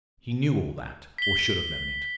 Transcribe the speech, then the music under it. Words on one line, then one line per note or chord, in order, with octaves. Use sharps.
He knew all that, or should have known it.
B6 G7